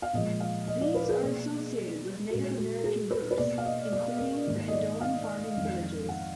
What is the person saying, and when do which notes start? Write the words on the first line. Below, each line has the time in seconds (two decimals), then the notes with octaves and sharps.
These are associated with Native American groups including the Caddoan farming villages.
0.02 F5
0.13 A#2 F3 G#3 D#5
0.40 F5
0.67 D#5
0.81 D5
0.95 B4
1.03 A#4
1.09 G#4
1.22 B2 A#3
2.30 A#2 G#3 F#4
2.58 F#4
2.84 G#4
3.11 B4
3.31 B4
3.38 B2 A#3 D5
3.58 F5
3.65 D#5
3.92 D5
4.19 A#4
4.46 G#2 D#3 A#3
4.68 D#5
4.73 D5
5.01 F5
5.55 F2 D#3 G#3
6.09 F#5